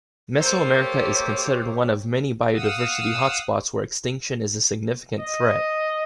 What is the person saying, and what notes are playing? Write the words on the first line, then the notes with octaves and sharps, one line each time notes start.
Mesoamerica is considered one of many biodiversity hotspots where extinction is a significant threat.
A#3 G4 A4 C5 C#5
F5 F#5 D#6 E6
D#5